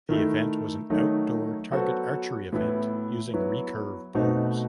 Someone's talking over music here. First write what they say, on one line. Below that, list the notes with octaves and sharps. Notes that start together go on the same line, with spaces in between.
The event was an outdoor target archery event using recurve bows.
D#3 A3 E4 A4
D#3 F#3 A3 D#4
F#3 B3 F#4 A4 C5
A2 E3 B3 E4
F#3 B3 E4
B2 A3 C4 D#4 F#4